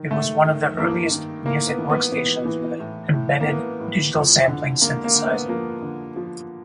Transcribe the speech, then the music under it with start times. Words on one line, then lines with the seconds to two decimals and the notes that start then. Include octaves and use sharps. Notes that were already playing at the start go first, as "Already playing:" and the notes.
It was one of the earliest music workstations with an embedded digital sampling synthesizer.
Already playing: D#3
0.11 D#3 A3
0.45 D#3
0.78 G2 A#3
1.12 D#3
1.45 A2 A#3
1.67 B3
1.79 E3
1.90 B3
2.12 E3 B3
2.45 E3
2.80 A2
3.13 A2
3.40 A#3
3.47 E3 B3
3.80 A2
4.14 F2
4.48 D3
4.81 D3 A#3
5.04 A#3
5.15 D3
5.26 B3
5.49 F3 A#3
5.82 D3
6.16 F3